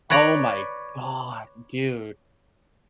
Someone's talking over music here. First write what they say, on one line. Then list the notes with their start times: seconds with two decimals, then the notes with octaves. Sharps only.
oh, my god, dude.
0.10 B4 C#5 D5 A#5 B5